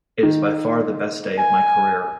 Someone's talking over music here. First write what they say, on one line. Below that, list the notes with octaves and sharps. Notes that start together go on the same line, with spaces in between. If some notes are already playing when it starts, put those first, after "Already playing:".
It's by far the best day of my career.
D#3
G#5